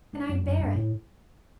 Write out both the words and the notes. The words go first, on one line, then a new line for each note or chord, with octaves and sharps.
And I bear it!
G#2
F#2
F#2
G2
A2